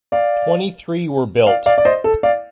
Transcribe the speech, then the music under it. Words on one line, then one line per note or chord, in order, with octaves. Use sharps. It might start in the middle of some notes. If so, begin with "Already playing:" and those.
Twenty-three were built.
D5 F5
D5 F5
D5 F5
D5
C5 D#5
A4
D5 F5